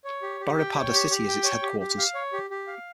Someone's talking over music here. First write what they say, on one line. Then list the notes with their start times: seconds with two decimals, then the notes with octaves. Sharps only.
Baripada city is its headquarters.
0.05 C#5
0.22 G4
0.40 G4
0.58 G5
0.75 C#5
0.93 G4
1.10 G4
1.28 G5
1.44 C#5
1.63 G4
1.80 G4
1.98 F5
2.15 C#5
2.33 G4
2.50 G4
2.67 F5